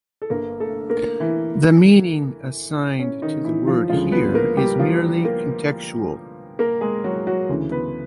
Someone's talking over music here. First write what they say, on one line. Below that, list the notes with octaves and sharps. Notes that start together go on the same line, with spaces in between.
The meaning assigned to the word here is merely contextual.
A4
G1 G2 D3 A#3 A#4
A3 A4
A#3 A#4
E3 E4
C#4
D#3 D#4
E3 E4
F3 F4
D2 C#3 F3 G#3 F4
B3 B4
A#3 A#4
G3 G4
F3 F4
A#3 A#4
A#3 A#4
G#3 G#4
F#3 F#4
F#3 F#4
D2 C#3 E3
B3 B4